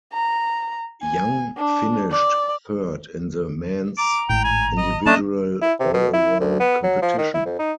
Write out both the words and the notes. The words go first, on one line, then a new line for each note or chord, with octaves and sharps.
Yang finished third in the men's individual all-around competition.
A#5
G#5
D4
D5
A#5 D6
G#1 A2 G5
G#5
D#5
A3 A#3 C#4 D4 D#5 A5
E4
C3
B2
E4
D2
B3
F#3
F3
D#3
E4
F2
D#4